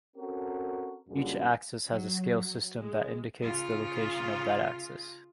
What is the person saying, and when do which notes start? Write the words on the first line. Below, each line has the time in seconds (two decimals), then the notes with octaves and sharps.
Each axis has a scale system that indicates the location of that axis.
0.17 C4 C#4 F#4 A4 A#4
1.08 C#2 F#2 D3 G3 G#3 A#3
1.85 F#3
2.79 G#3
3.42 C#3 F4